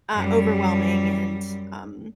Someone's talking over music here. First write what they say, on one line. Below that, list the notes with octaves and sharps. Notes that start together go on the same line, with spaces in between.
uh, overwhelming and, um,
F#2 G3